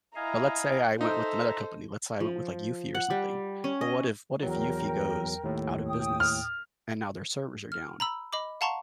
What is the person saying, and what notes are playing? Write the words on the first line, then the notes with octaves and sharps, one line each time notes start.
But let's say I went with another company, let's say I went with, like, eufy or something, well, what if what if eufy goes out of business and now their servers are down,
E4 D#5 F5 G#5 A#5
D#4 A4 C5 E5 A#5
F3
F#5
G3
C#4
D#5
E2 F#3 A#4 G5
D#2 A2
G5 D#6
F6
F6
A#5 B5 E6
D#5 B5 D6
F5 F#5 A5 A#5 C6 C#6